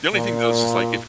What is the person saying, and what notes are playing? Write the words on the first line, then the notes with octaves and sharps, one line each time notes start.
The only thing though, is just like if
A#2